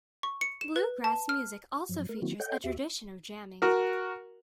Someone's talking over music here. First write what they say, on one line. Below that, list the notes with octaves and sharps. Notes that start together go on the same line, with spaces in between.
Bluegrass music also features a tradition of jamming.
C#6
C#7
E7
B4
A5
F6
G2 F3 F#3
A3 A#4
D#3 F#3 A#3 C4 E4 F#4
A4 C#5 D#5 F#5 G5 G6
D#2 F#4 G4 E5
F#4 A#4